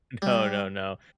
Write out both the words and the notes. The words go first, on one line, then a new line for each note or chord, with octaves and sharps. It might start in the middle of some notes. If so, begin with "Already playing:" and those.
no, no, no.
G3